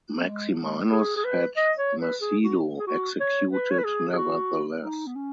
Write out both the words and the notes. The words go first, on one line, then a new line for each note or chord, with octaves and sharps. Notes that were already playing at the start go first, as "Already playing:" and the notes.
Maximinus had Macedo executed nevertheless.
B3
G#3
G#3
G#4
G#4
B4
D#5
C#5
B4
G#4
F#4
G#4
F#4
C#5
B4
C#5
B4
G#4
G#4
F#4
D#4
B3
C#4